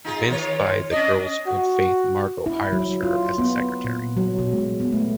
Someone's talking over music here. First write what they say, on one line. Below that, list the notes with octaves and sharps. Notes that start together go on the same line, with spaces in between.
Convinced by the girl’s good faith, Margo hires her as a secretary.
D#4 F4 G#4
D#3 F4 C#5
C#4 D4 D#5
F#4
E4
F#3
F4
B3
A#2
F#3
B2
G#3
B3
A3